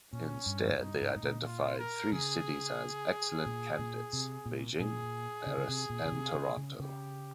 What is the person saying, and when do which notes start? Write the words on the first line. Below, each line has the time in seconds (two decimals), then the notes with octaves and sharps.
Instead, they identified three cities as excellent candidates; Beijing, Paris, and Toronto.
0.12 A#2 C#4
0.46 G2
0.69 G#2
0.79 G2 D#4
1.02 G#2
1.16 G#2
1.23 A#2
1.45 F4
1.79 A#4
2.12 C#3 G#4
3.46 A#2
3.79 A#2
4.13 C3
4.46 A#2
4.79 A#2 G#4
5.46 C#3
5.58 C#3
5.68 C3
5.90 A#2
6.06 C#3
6.12 C3
6.34 C#3
6.57 C#3
6.79 C#3 G4